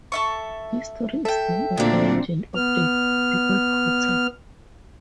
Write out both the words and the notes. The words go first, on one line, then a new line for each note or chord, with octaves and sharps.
This story is known as the legend of The People Potter.
A4 E5 C#6
A4 E5 G5
D2 A#2 C4 D4
B3 F6